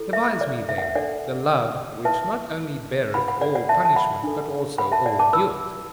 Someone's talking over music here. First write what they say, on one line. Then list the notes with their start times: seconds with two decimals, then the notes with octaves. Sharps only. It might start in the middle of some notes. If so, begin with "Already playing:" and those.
Devise me, then, the love which not only beareth all punishment, but also all guilt!
Already playing: E4 A4
0.13 E5
0.41 D5
0.69 E5
0.78 F#5
0.82 E5
0.95 D4 A4 D5 F#5
2.05 E4 B4 E5 A5
3.14 E4 B4 F#5 B5
3.28 F#5 B5
3.41 D5 F#5
3.55 D5 F#5
3.69 E5 A5
3.85 A5
3.96 F#5 B5
4.23 D4 A4
4.78 F#5 B5
4.92 E5 A5
5.06 D5 F#5
5.19 A5 D6
5.33 E4 B4 B5 E6